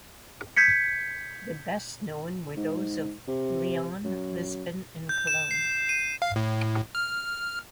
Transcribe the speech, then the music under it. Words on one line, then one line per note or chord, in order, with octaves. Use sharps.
The best known were those of Lyon, Lisbon and Cologne.
G6 G#6 B6 C#7
G#2
C3
F#2
G6
E7
C7
D#7
F5
A2
F6